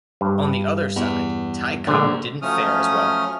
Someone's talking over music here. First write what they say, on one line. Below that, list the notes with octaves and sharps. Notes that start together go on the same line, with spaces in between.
On the other side, Ty Cobb didn't fare as well.
G2
E2
A#1 G#2 D3
F3 F#3 A3 C#4 D#6 F6